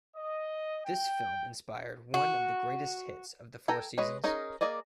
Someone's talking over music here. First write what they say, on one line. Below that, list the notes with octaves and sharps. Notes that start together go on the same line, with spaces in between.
This film inspired one of the greatest hits of The Four Seasons.
D#5
G5
F#4
A4 G5 G#5 A#5
G#3 B4 C#5 D#5
C#4 D#4 G#4 A#4
A#3 G#4 D5 D#5